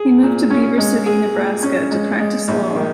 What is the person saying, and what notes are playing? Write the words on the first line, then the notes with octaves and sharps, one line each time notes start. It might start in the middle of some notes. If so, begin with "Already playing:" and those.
He moved to Beaver City, Nebraska to practice law.
Already playing: G#4
A#2
C#4
G#3
G#4
A#2
C#4
G#3
G#3
A#1
D#3